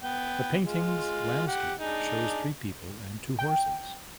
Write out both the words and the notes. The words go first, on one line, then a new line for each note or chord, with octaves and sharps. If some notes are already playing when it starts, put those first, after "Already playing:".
The paintings landscape shows three people and two horses.
B3 G5
G#3 F4
G4 F#5
D4 D#4 G#4
G5